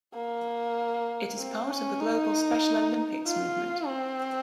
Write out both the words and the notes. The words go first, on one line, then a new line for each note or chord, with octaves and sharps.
It is part of the global Special Olympics movement.
A#3
C4
C#4
D#4
F4
C4